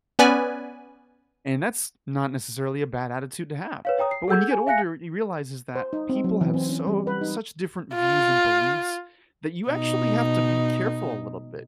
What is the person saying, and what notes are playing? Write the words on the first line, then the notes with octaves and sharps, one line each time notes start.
And that's not necessarily a bad attitude to have. But when you get older, you realize is that people have so such different views and beliefs, that you actually have to be careful a little bit,
B3 C#4 B4 D5 G#5 B5
B4 C#5 F5
C#5 G5 A#5 D#6
C7
G#4 A4 F#5 E6 G6 G#6
G#4 G#5
E5 F5 G#5 F#6 A#6 C#7
C5
D#4
C4
F#3
E3
C4
C#4
G3
B4
D#4
F4
B2 D#4